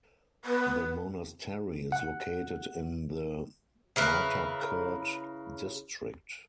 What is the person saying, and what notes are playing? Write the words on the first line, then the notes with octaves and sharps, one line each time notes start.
The monastery is located in the Martakert District.
B3
F#5
C#3 E4 A#4 B4